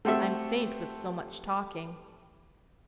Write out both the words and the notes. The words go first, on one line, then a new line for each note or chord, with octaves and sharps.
I'm faint with so much talking.
A3 C4 F#4 G4 A4 E5